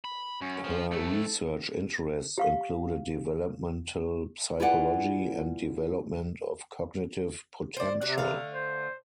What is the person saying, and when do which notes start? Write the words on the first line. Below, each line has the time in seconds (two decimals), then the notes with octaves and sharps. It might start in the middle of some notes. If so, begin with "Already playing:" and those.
Her research interests included developmental psychology and development of cognitive potential.
0.04 B5
0.41 F#2 C#4
0.64 F3
0.91 F2 A3 A4
2.38 G4 F5 C#6
4.60 E4 F4 G#4 B4 D5 F#5
7.77 C5 D5
8.01 C3 D4 F#4
8.18 D3 A3 F5
8.54 C5